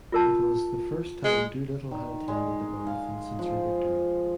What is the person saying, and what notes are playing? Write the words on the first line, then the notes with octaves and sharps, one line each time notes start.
It was the first time Doolittle had attended the marathon since her victory.
F4 A#4 A5
G#3
D#3
G#3
F5
F3